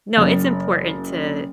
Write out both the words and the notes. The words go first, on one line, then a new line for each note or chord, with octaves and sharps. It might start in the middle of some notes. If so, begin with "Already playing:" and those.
No, it's important to
F#1